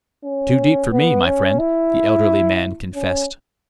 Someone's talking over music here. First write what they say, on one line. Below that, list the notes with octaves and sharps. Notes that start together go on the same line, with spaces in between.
"Too deep for me, my friend," the elderly man confessed.
C#4
B3
C#4
E4
C#4